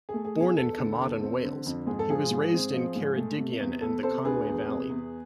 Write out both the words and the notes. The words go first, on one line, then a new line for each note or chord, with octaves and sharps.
Born in Carmarthen, Wales, he was raised in Ceredigion and the Conwy Valley.
G#4
A3
G#4
B2
G#4
E2 A4
D3
E2
C4
D3
F2
G#2 G#4
A4
F3 G#4
G#2
C4
F3
G#2
A3
C3
E2
B3 A4
C3 A4 C5
D2 G#4 B4
E2
C3
E2